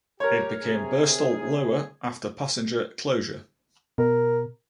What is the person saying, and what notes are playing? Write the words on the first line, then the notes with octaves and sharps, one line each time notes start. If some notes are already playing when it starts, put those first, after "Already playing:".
It became Birstall Lower after passenger closure.
G4 A#4 C#5
C3 G#4
B2 A#4